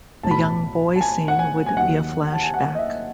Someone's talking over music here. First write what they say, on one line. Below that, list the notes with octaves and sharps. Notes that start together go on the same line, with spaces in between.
The young boy scene would be a flashback.
B1 A2 F#3 A5
B5
A5
A5
G#5
F#5
G#5
G#5
D#2 D#3 F#3 F#5
A5
G#5
F#5
D#5
E5